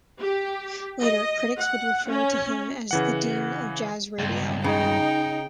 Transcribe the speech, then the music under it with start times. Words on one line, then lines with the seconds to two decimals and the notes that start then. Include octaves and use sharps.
Later, critics would refer to him as "the dean of jazz radio".
0.20 G4
1.00 D#5
1.58 F#5
2.07 C#4
2.91 C#3 E3 F#5
4.19 C#2 G2
4.64 C#3 D#4 G5